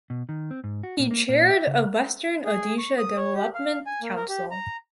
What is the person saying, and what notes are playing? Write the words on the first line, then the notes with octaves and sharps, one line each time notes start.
He chaired of Western Odisha Development Council.
B2
D#3
C4
G#2
F#4
A#2
A#3
A#2
E5
C#3
G#4
C#6
D#6
C#5
G4
F5
G#5
A#3
A#4
G4
A#5